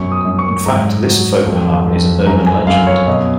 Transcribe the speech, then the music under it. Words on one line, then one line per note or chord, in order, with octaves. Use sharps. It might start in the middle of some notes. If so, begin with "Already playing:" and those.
In fact, this faux pas is an urban legend.
Already playing: F#2 B2 F#3 C#6
D#6
F#2
C#6
G#2 A#5
F#3
F2
F2
F#2 A#5
G#5
F#2 F5
C#5
B2 D#5